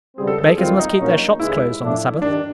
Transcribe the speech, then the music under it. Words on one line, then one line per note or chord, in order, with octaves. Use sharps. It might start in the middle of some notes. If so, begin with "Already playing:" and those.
Bakers must keep their shops closed on the Sabbath.
C#2 B2 G3 C4 G#4
A4
A4
G#4
D#2 D#3 G3 C4 F4
D#4
A#1 A#2 F#3 A#3 C#4 D#4
D#2 C#3 E3 G#3 E4
A2 F3 A3 D4
G2 D#3 D4